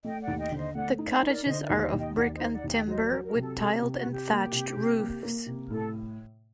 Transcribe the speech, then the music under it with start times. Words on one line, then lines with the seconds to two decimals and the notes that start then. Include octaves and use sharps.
The cottages are of brick and timber with tiled and thatched roofs.
0.04 A3 D#5 G5
0.21 D5 F#5
0.27 D#2
0.39 D#5 G5
0.51 D3
0.57 C5 D#5
0.75 A3 D5 F#5
0.99 D#4
1.10 C5
1.22 D#4 C5
1.28 A#4 D5
1.46 D3 C5 D#5
1.63 A#4 D5
1.69 D#2
1.77 F#5
1.81 C5 D#5
1.93 D#2
1.98 D#5 G5
2.16 D#2 D5 F#5
2.34 C5 D#5
2.40 D#4
2.52 D5 F#5
2.64 D#2
2.69 D#5 G5
2.87 F#3 C5 D#5
3.04 A#4 D5
3.11 F#3
3.23 A#4
3.35 C3
3.40 A4
3.58 C3 A4
3.82 C3
3.94 F#4
4.05 C3
4.11 G4
4.29 A#3
4.52 C3
4.76 C3
5.00 A#3
5.23 A#3
5.46 C3
5.70 A2 A4